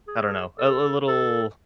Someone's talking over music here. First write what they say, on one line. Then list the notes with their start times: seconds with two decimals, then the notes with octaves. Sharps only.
I don't know, a l little,
0.08 G#4
0.58 A4
1.08 A4